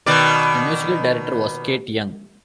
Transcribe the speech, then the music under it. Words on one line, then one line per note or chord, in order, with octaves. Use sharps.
The Musical Director was Kate Young.
B2 D#3 D5